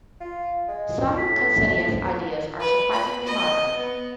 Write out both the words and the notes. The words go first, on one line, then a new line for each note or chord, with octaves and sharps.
Some of Consentius' ideas are surprisingly modern.
F4
G#3
A2 B6
B4
B5
D#5
B3